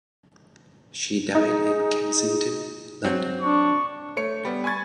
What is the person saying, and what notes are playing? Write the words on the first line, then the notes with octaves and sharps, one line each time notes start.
She died in Kensington, London.
D#4 G#4
F#3 C4
D4 C#6
A3 C#5 C#7
G3 B3
G#5 B5 C#6 G#6 A6